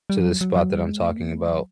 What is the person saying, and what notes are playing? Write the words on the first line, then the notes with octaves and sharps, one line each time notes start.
to the spot that I'm talking about.
G3
F3
F#3
F#3
F#3
G3
G#3
A3
A#3
A3
F#3